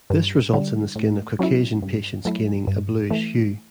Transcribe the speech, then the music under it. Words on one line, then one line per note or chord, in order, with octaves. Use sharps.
This results in the skin of Caucasian patients gaining a bluish hue.
G2
D3 G3
A2
F#3 C#4 E4
G2
F#3 A3 E4
G2
E3 A3